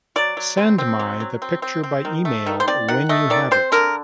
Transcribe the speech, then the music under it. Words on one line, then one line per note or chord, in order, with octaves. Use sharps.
Send my the picture by email when you have it.
F#3 D5
F#3
C4
C4
F#3
F#3
C4
C4
C4
D#3
A3
D#3
C5
C4 D5
D#3 F#5
A3 D#5
D#3 D5
C4 C5
D3 A#4